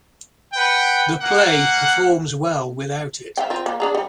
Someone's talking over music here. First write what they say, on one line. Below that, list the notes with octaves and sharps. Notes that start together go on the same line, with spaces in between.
The play performs well without it.
B4 F#5 G5
A#3 F#5
E5 F5 G5
C4 F4
A#3
D4 G#4 A#5
G3